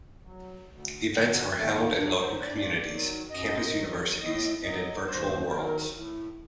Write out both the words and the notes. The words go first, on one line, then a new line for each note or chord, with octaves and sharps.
Events are held in local communities, campus universities and in virtual worlds.
F#3
D2
D3 F#3
D#2 A3
A#3
D3 F#3 D4
C5
C5
G2 D5
D#3 F#3
F#2 D#5
D#3 F#3
A2 D#5
F#3 D#5
D#2 C5
D#3 F#3 A#4
A2